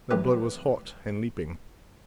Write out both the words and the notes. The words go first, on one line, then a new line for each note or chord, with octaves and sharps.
Their blood was hot and leaping.
E3 F#3 A3 C4 G4 B4